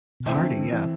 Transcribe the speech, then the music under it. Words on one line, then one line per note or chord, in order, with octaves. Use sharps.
Hardy, yeah.
B2
F2 C3 E3 A3 C4 E4
D3
D3
E3